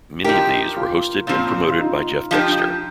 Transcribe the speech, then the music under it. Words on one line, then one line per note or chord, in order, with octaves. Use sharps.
Many of these were hosted and promoted by Jeff Dexter.
F3 D#4 G4 A#4
F4
A#2 F3 C4
F4
D#4
F3 D#4 G4